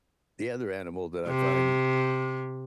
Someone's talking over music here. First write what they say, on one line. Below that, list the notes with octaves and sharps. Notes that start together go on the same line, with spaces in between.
The other animal that I find
C3